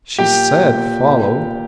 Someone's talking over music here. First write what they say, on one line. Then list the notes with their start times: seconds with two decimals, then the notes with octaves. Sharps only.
"She said--follow."
0.18 A#2 G4 G5
0.63 A#2
1.07 A#2